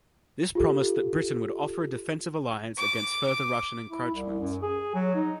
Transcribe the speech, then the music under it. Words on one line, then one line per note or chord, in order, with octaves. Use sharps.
This promised that Britain would "offer a defensive alliance against further Russian encroachments".
F4 G4 A4
D6
D6
E4
C2
F#2
G#4
F#3
D#4